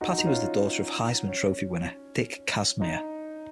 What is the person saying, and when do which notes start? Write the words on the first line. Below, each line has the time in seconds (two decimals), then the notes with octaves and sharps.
Patty was the daughter of Heisman Trophy winner Dick Kazmaier.
0.01 D#4 F#4
0.18 D#4
0.26 C#4 F4
1.28 C#4
2.82 D#4